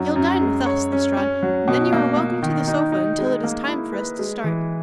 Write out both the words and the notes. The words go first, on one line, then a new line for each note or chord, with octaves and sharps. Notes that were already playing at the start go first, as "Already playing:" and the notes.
You'll dine with us, Lestrade, and then you are welcome to the sofa until it is time for us to start.
Already playing: F#2 F#3 D#4
F#2
G#3
C#5
C#4
C#4
F#3
B2
A#3
A#3
D#3
D#4
D#4
G#3
A#3
E4
B4
G#3
E3